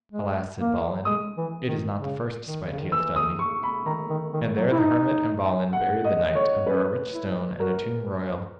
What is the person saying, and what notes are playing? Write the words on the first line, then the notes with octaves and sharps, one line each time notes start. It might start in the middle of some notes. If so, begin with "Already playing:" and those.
Alas, said Balin, it is not the first despite he hath done me; and there the hermit and Balin buried the knight under a rich stone and a tomb royal.
G#3
A#3
G#3 D#6
E3
D#3
C#3
D#3
C#3
D#3
E3 E6
D#6
C#6
B5
D#3 A#5
D#3
D#3
F#3
E4
D#4
F#5
D#5
C#5
C#4 B4
E4
F#4 A#4